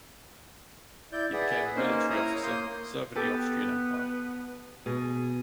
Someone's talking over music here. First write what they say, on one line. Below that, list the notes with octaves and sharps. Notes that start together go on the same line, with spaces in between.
He became a military officer, serving the Austrian Empire.
E4 D5 G6
G#4 B4 D5 E5 F#5
A#3 C#4 D#4 A#4 C5
E4 A#4 C#5 A#5 D#6
A#3 C6 D#6 G6
B3 G4 A4 B4
B2 G#4